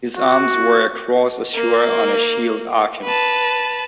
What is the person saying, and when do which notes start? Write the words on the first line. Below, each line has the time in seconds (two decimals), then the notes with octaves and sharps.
His arms were a cross azure on a shield argent.
0.17 F#4
1.55 A#3
3.04 B4 A5